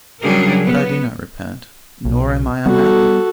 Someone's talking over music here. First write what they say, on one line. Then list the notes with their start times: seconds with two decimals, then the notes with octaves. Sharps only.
But I do not repent, nor am I unhappy.
0.21 C#3 F#3 G3 D4 G#4 A#4
0.65 B3
2.05 B1
2.66 G3 B3 F#4 A4